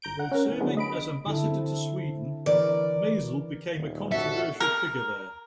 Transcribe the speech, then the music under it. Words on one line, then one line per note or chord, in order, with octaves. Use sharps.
While serving as ambassador to Sweden, Mazel became a controversial figure there.
G1 A#5 G6 D7
F#5
C#4 A#4
C#2 E3
D3 E3 F#3 G#3 B3 D4
D#5 B5 D7
D3 E4 A4
C4
E3 A#4 B4 D5
D#1
F#4 A4 E5
A#4